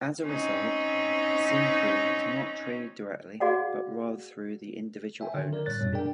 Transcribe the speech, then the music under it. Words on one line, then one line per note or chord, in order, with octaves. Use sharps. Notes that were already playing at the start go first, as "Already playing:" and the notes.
As a result, Syncrude is not traded directly, but rather through the individual owners.
C4 C#4 D#4
F#4 G#4 D5 F5 F#5
C#5 E5 G5 G#5
D3 D#3
A#4 D5
A2 G3 C#5 F#6 A6
F#2 B2 G3
D4 G#4 A#4 D5 G5